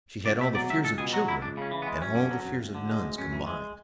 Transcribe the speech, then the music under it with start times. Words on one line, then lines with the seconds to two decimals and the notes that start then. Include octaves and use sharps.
She had all the fears of children and all the fears of nuns combined.
0.25 C#2 D5
0.40 B2 E5
0.55 F#3 D5
0.70 C#2 E5
0.84 C#2 A4
0.98 B2 G#4
1.13 F#3 F#4
1.27 C#2 E4
1.42 C#2 D4
1.57 C#3 C#4
1.71 E3
1.82 B3
1.87 G#3
2.01 F#2 C#4
2.15 D3
2.31 F#3
2.45 F#2
2.60 D2
2.75 D3
2.89 G#3
3.04 D2
3.18 F#2 C#4
3.33 E3
3.47 G#3